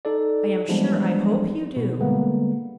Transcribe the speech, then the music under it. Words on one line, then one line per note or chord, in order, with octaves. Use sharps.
I am sure I hope you do.
D#4 A4 D5
E3 F3 G3 G#3 B3 D4
B2
D3 G3 G#3 A#3 B3